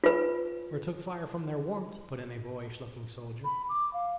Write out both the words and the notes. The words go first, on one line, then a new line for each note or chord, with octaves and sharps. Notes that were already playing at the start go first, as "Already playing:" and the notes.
"Or took fire from their warmth," put in a boyish looking soldier.
F4 B4
B5
D6
F5